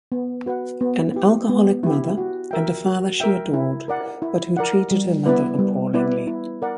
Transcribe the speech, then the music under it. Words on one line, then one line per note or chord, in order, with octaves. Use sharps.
An alcoholic mother and a father she adored but who treated her mother appallingly.
B3
F#4 B4 F#5
B3
E4 G4
B3
E4 G4
F#4
A#4 E5 G5
F#4
A#4 E5 G5
E4
A#4 D5 F#5
E4
A#4 D5 F#5
G3
B3 E4 B4 D5
G3
B3 E4 B4 D5
E4
A#4 D5 F#5